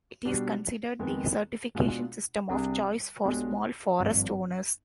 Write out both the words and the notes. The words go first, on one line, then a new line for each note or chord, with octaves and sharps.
It is considered the certification system of choice for small forest owners.
B2 G3 D4 G4
F2 D#3 G#3 B3
B2 G#3 D4 F4 G#4
C2 C3 G3 D4 G#4
B1 B2 G#3 D4 G4
G#1 G2 F3